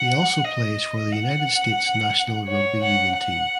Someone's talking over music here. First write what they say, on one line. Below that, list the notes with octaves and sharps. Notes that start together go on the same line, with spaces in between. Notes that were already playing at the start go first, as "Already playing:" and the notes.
He also plays for the United States national rugby union team.
Already playing: F#5
D#5
F#5
C#5
F#5
F#5